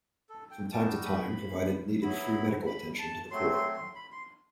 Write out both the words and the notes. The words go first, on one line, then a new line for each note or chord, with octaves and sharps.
From time to time provided needed free medical attention to the poor.
A4
G5
G3 D#4 F#4 A5
B5
F#3 B3 E4 B5
B5
A5
F#3 A3 C4 C6
C6
C6
B5
C6